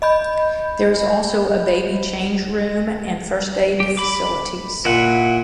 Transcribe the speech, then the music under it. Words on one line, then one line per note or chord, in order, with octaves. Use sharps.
There is also a baby change room and first aid facilities.
D#5 B5 G6
G4
B5 D6
A#2 E4 F#5